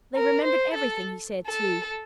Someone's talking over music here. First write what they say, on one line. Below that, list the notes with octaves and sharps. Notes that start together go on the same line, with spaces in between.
They remembered everything he said, too.
A#4
C5
A4
A4